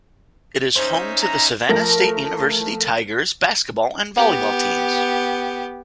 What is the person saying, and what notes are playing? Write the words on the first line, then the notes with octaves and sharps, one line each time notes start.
It is home to the Savannah State University Tigers basketball and volleyball teams.
C#4 D#4 C5 E5
A#5
F3 A3 A#4 A#6
B3 G4